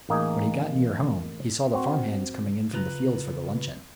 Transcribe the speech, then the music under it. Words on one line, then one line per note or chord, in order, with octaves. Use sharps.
When he got near home he saw the farm-hands coming in from the fields for their luncheon.
A1 A#3 D#4 G#4
C4 F#4
C#3 F4 B4 A#5